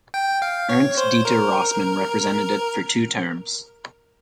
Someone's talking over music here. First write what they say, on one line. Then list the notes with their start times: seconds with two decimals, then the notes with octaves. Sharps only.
Ernst Dieter Rossmann represented it for two terms.
0.14 G5
0.42 F5
0.69 C#5
0.97 C5
1.25 A#4